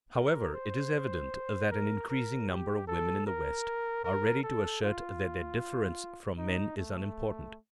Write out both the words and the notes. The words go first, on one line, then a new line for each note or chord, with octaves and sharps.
However, it is evident that an increasing number of women in the West are ready to assert that their difference from men is unimportant.
A#4
C5
A#4
A#4
G4
A4
A#4
A#4
A4
F4
D#4
A3